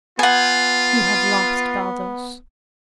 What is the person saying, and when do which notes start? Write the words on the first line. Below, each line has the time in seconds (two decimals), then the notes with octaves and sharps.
You have lost Baldos.
0.19 B3 F4 F#5 G#5